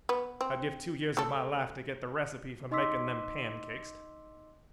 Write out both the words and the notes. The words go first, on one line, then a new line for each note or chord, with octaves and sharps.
I'd give two years of my life to get the recipe for making them pancakes.
B3
C4
A3 A4
D#4 D#5 C6 D6 E6 B6